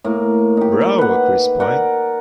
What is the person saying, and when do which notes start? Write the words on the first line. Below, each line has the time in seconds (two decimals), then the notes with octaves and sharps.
Bravo, Chris Pine!
0.04 A2 A#3
0.57 D#4 G4
0.98 B4 F#5
1.60 A#4 D5 F#5